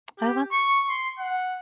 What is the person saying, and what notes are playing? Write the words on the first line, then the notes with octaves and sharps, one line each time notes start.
Oh, that's
G4
C#6
C6
F#5